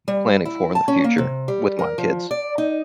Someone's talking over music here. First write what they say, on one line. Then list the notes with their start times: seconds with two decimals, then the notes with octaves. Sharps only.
planning for in the future, with my kids.
0.08 G3
0.45 E4
0.75 A5
0.88 C#4
1.04 A#3
1.18 C3
1.48 G3
1.79 A#4
1.98 F3
2.31 D5
2.58 D#4